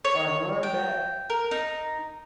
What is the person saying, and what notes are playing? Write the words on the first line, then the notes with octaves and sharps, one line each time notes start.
or learned that
C#5
G5
A#4
D#4